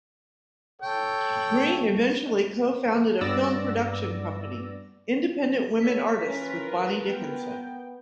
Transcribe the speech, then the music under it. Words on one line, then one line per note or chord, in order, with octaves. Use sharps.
Green eventually co-founded a film production company, Independent Women Artists, with Bonnie Dickenson.
A4 C#5 G5
G2 B3 D5 E6 A#6
D#2 A4 C#5 B6
E3 C#4 F4 A#4 B4
D#3 G3 A#3
B3 G5